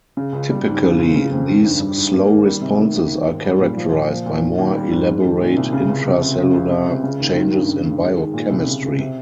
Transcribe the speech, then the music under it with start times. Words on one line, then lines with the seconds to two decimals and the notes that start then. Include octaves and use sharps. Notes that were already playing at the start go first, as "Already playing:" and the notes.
Typically these slow responses are characterized by more elaborate intracellular changes in biochemistry.
0.17 C#3
0.33 C#2
0.50 G3
0.66 G#2
0.83 C#3
0.99 C#2
1.16 C#3
1.31 F2
1.48 D#3
1.64 G2
1.80 G3
1.97 G#2
2.14 A#3
2.29 D#3
2.45 G3
2.61 C3
2.78 D#3
2.95 D#2
3.11 D#3
3.27 G#2
3.44 G3
3.60 A#2
3.77 F3
3.92 A#2
4.09 F3
4.26 A#2
4.42 D#3
4.58 D#2
4.75 G3
4.91 G#2
5.07 G#3
5.23 D#3
5.40 A#2
5.57 C2
5.73 C#3
5.89 C#2
6.06 C3
6.21 C#2
6.38 C#3
6.54 C#2
6.70 C3
6.86 C#2
7.03 C#3
7.20 D#2
7.35 D#3
7.52 G2
7.68 C#3
7.85 D#2
8.01 G#3
8.17 D#3
8.34 A#2
8.50 C2
8.66 C#3
8.82 C#2
9.00 C3